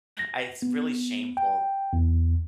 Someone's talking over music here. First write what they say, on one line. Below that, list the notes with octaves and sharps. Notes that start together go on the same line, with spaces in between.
I it's really shameful
A#6
B3
G5
E2